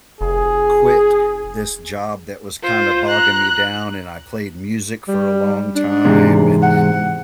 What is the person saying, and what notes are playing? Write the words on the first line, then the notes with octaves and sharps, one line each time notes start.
quit this job that was kinda bogging me down, and I played music for a long time, and
F1 G#4
F4 C5
A#5 F#6
G3
D4
E2 G#2 C3
F#5